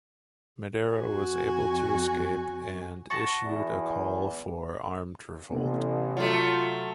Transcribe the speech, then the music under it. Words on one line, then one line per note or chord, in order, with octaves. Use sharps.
Madero was able to escape and issued a call for armed revolt.
F2 F#4 G#5
F#4 A5 C#6
E2
A1 C3 B3 D4
F#3 A3 F4